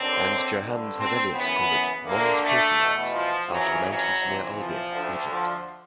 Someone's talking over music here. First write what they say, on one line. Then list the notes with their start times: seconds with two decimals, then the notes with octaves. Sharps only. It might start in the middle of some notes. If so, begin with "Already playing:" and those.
And Johannes Hevelius called it "Mons Porphyrites" after the mountains near Olbia, Egypt.
Already playing: D#2 D3 C4
0.60 G2 D3
0.96 C4
1.32 F#2 C#3 E3 B3
2.04 D2 D3 A#3
2.40 A3
2.76 E2 B2
3.12 F3
3.48 F2 C#3 E3 F#3
3.84 F#3
4.19 F2 C3 E3
4.55 F3
4.91 D2 D3
5.27 F3